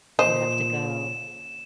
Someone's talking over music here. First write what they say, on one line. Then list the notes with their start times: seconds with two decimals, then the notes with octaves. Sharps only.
You have to go.
0.19 A#2 C5 D#5 E7